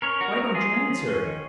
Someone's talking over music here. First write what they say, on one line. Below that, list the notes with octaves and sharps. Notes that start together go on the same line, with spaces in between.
Why don't you answer?
C#4 A#4 C#5
F#3 F#4 A#4
F#3 F#4 A#4
A#3 F4 G#4
C#4
F3
C#4
D#3